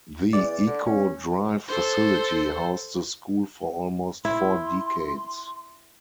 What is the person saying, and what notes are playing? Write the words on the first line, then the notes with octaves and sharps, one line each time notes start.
The Echo Drive facility housed the school for almost four decades.
E2 D5
D3
C#4
A4 C5
E4 C6